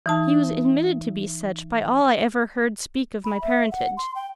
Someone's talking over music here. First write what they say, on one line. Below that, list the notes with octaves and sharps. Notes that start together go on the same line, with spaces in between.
He was admitted to be such by all I ever heard speak of my parentage.
E3 D#4 A5
B5
E5
F#5
C6
G5